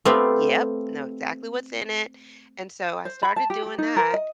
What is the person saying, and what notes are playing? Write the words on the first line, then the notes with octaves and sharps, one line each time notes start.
Yep, know exactly what's in it, and so I started doing that,
A3 B3 C4 F4 G4
C5
B5
A5
G4
G4
D#4
A#4
D#5